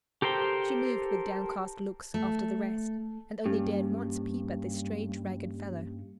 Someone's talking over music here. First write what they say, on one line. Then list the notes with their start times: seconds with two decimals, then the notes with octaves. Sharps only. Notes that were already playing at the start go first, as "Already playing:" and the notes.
She moved, with downcast looks, after the rest, and only dared once peep at this strange ragged fellow.
0.22 G4 A4 A#4 C5 G5
2.14 A3
3.46 G2 A#3 C#4 G4